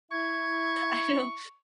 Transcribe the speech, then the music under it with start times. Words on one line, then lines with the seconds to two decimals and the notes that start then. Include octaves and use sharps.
I don't,
0.11 E4 E5 C#6 G#6